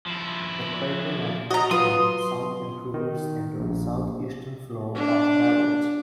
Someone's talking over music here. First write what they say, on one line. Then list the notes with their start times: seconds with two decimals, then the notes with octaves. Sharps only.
The crater remnant named South intrudes into the southeastern floor of Babbage.
0.07 F3 E4
1.51 F#4 D#5 A#5
1.71 F#3 F4 B4 C6 D#6
2.94 D#3
3.59 A#1
4.95 D4